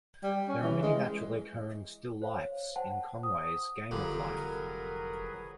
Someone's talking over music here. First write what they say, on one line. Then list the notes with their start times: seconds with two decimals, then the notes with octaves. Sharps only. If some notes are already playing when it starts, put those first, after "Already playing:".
There are many naturally occurring still lifes in Conway's Game of Life.
0.23 G3
0.48 C#4
0.62 E3
0.82 G#3
2.22 C5 C#5 F5
2.76 C5 F#5 G5 A5
3.23 D#6
3.91 F1 F2 D3 F#3 G3 G#4 A#4 B4